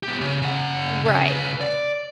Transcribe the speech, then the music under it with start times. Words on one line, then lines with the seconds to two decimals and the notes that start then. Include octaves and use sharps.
Right, right,
0.03 B3 G4
0.21 C#3
0.42 C#3 F#5
1.05 C#3
1.28 C#3 B4
1.61 D5